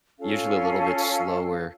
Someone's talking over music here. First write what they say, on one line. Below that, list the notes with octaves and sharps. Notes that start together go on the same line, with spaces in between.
Usually a little bit slower,
C#4 F4 A4 F5